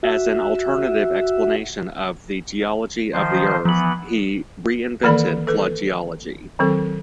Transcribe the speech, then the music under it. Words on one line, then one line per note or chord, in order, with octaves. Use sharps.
As an alternative explanation of the geology of the earth, he re-invented Flood Geology.
F#4 E5
D#3 F3 C5
E3 F3 B3 F#7
D#3 E3 A#3 A4 D5 B5
A4 B4
D#3 F#3 C4 A4